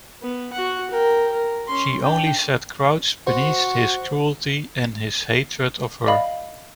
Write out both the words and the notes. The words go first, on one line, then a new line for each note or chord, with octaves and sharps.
She only sat crouched beneath his cruelty and his hatred of her.
B3
F#4 F#5
A#4 G5
A#4
C#4 C6
D4 G5
F#4 C5
D5 D#5 F5 B5